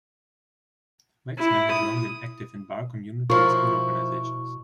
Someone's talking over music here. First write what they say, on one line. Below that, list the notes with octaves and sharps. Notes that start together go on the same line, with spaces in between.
Waxman has long been active in Bar, community and school organizations.
E4
D#6
B2 F3 E4 F4 A#4 C#6